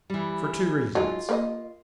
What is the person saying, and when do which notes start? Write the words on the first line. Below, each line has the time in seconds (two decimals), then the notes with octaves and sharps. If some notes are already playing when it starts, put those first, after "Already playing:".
"For two reasons."
0.10 E3 G3
0.95 F#3 G#3 D#4 F4
1.29 A#3 B4 D#5